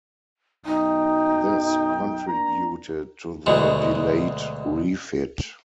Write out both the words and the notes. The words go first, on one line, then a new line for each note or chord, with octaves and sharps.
This contributed to the delayed refit.
B1 F#2 D#4 G5
A#3 D4 A#5
D2 B2 F#3 G#3